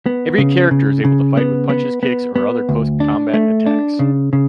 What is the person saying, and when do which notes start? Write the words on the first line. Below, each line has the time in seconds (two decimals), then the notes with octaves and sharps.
Every character is able to fight with punches, kicks, or other close combat attacks.
0.06 B3
0.38 C#3
0.71 C#3
1.05 C#3
1.37 B3
1.70 B3
2.03 B3
2.36 B3
2.69 D2
3.00 D4
3.34 A3
3.66 D4
3.99 C#3
4.33 C#3